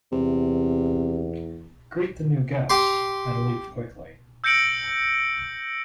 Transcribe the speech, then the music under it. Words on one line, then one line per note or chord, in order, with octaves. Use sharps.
Greet the new guests and leave quickly.
E2 C3
G4 C6
E6 G6 A#6 C#7 D7 F#7